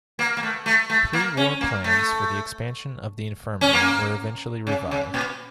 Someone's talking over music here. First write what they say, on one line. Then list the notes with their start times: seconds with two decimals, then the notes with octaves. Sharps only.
Pre-war plans for the expansion of the Infirmary were eventually revived.
0.19 A#3
0.37 A#3
0.43 A3
0.66 A3
0.90 A3
1.13 A#3
1.37 C#4
1.61 A#3
1.84 A3
3.61 C#4
3.73 A#3
4.67 C#3
4.91 C#3
5.14 A#2